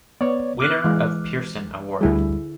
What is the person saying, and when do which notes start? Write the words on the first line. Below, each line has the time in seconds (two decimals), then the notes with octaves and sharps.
Winner of Pearson award.
0.21 B3 C#5 D5
0.60 D6 F6 F#6
0.84 E3 G#3
2.01 D2 D3 G3 E4 G#4